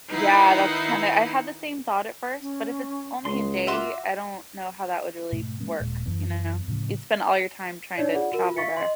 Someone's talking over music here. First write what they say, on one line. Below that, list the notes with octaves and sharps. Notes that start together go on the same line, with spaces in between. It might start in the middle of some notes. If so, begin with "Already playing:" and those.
Yeah, that's kinda I had the same thought at first, but if it's only a day, I don't know how that would really work, you know? You'd spend all your time trying to travel there.
D#3 D#4 E4 B4 F#5 C7
C#4
C#2 G#3 C6
F4 F#4 E5 C6 D6
G#2 B2 A3
F3 G#3 A#3 C#4
D#1 A#2 G#3
F#2 E3 B3
A2 C#3 E3 F3
D4 D#4 C#5 D5
F4 G#4 D5 F#5
F#4 A#4
F4
E5 F5 C#6 A6 B6 C#7
D#5 C6